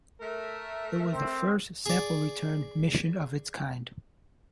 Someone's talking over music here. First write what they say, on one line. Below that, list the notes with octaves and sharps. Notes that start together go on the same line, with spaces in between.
It was the first sample return mission of its kind.
A3 A#4 E5
C4
G#4 D5